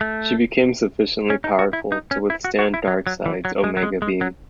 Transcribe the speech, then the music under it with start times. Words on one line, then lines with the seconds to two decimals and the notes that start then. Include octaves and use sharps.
She became sufficiently powerful to withstand Darkseid's Omega Beams.
0.01 A3
1.30 C#4
1.44 D#4
1.59 F#4
1.73 E4
1.92 D#4
2.11 C#4
2.30 E4
2.44 F#4
2.59 F#4
2.74 E4
2.87 F#3
3.07 F#3
3.26 E3
3.45 F#3
3.64 G#3
3.77 F#3
3.83 G#3
4.02 G#3
4.21 F#3